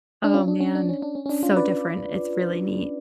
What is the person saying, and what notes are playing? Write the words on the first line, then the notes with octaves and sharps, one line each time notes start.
oh, man, so different. It's really neat.
D4
C#4 F4
D4
C#4
D4
C#4
D4
C#4
C#4
D4
C#4 F4
B4 D5